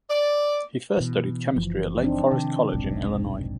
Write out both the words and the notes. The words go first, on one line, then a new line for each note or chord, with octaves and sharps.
He first studied chemistry at Lake Forest College in Illinois.
D5
B2 E3
F#1 E3 F3
C4 D4 D#4
C3 D#3
F1 B1 G#2